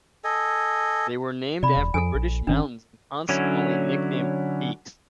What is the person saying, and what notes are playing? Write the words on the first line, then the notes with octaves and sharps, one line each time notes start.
They were named after British mountains, and consequently nicknamed Peaks.
A4 D#5 G#5
C3 D5 B5
E1
F2 A4 G#5
A#1
G1 D#3 C#4 D4
D3 F#3 C#4 E4